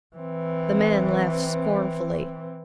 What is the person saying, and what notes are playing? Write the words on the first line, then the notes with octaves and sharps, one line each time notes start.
The man laughed scornfully.
E3 C4